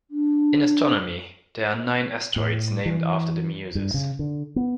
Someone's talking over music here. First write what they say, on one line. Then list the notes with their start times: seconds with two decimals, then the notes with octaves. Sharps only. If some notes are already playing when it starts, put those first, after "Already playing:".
In astronomy, there are nine asteroids named after the Muses.
0.11 D4
2.36 A2
2.86 E3
3.75 G2
3.94 C#3
4.19 D3
4.56 B3